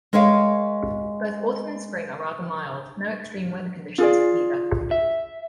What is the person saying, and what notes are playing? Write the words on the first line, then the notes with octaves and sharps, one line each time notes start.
Both Autumn and Spring are rather mild, no extreme weather conditions for either.
G#3 A#4 C#5 E5 F5
F4 G#4 D5
E5